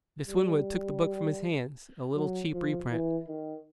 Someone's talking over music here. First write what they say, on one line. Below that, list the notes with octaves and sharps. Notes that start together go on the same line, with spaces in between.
Miss Winwood took the book from his hands--a little cheap reprint.
G3
F#3
F3
E3
D#3